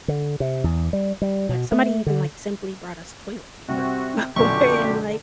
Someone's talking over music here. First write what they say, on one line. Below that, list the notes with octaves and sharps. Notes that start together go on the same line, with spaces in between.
but, somebody even, like, simply brought us toilet paper before and, like
D3
C3
E2
G3
G3
B2
A3
D3
C3 G3 C4 F#4
A#1 F#2 B2 D3 D4 F4 G4 C#6